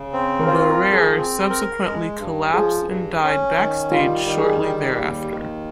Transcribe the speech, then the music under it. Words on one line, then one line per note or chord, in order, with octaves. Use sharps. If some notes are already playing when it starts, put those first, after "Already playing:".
Barere subsequently collapsed and died backstage shortly thereafter.
Already playing: C#3
C4
A#4
F4 C5
A#4
F3
G#4
C4
A#4
G#3
G2
F3 G#4
G2
C#4
D#3
G3 F4
D#3
G#4
G3
D#2
D#3